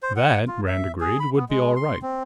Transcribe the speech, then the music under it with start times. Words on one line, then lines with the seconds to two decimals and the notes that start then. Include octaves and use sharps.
That, Rand agreed, would be all right.
0.03 C5
0.16 F#5
0.47 F4
0.67 E5
1.00 G#4
1.20 B5
1.37 B3
1.49 G#3
1.76 C6
2.02 C4